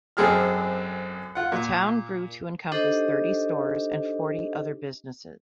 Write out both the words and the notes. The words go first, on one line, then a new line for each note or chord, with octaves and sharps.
The town grew to encompass thirty stores and forty other businesses.
G#1 F#2 C4 G#4 A4 F6
F4 F#5
A#2
D4 D#4 G4 A4 C5 D#5